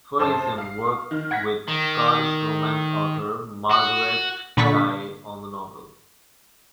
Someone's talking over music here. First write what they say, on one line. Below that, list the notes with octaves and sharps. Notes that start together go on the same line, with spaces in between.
Ferguson worked with Scottish romance author Marguerite Kaye on the novel.
F#2 C5 A5 D#6
F5 C7
D#3 F6
F#5 G#6 A#6 B6
D#3
F#4
A#2 D3 B5 C#6 A6 B6